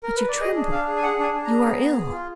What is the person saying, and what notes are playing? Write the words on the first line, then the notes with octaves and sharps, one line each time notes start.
But you tremble--you are ill!
A#4
B4
D5
G#4 D#5
D4
D4 F5
G#4
G#5
G#4 F#5
D4 G#5
D4
G#4 A#5
B3
B3
G#4
F4